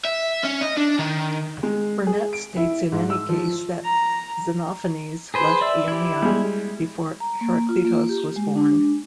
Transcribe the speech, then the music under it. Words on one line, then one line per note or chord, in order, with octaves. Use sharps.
Burnet states in any case that ... Xenophanes left Ionia before Herakleitos was born.
E5
C#4
D#5
D4
D#3
G#3
G#4
D7
E4
G#2
E6
F3
A#5
G#4 B4 C5
D5 E5 E6
E4 G4
G3 G#3
A#5
A#3
F4
A#3
G4
G#3
D4